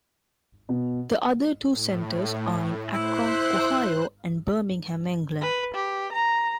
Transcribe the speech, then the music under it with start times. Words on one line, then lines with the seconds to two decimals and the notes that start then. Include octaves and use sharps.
The other two centers are in Akron, Ohio and Birmingham, England.
0.69 B2
1.70 A2
2.93 E4 C5 F#6
5.41 B4
5.74 G4
6.12 A#5